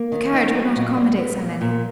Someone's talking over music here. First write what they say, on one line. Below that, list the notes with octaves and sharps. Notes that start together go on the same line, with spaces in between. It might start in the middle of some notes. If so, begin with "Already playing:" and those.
The carriage would not accommodate so many.
Already playing: A#3
D#3
D#4
F#3
A#2
G3
B3
A#2
A#2